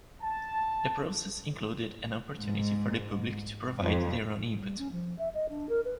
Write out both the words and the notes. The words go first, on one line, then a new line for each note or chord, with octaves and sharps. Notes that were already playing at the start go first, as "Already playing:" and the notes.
The process included an opportunity for the public to provide their own input.
A5
G#2
F2
G3
C#4
F3
E5
D#5
D4
A#4
B4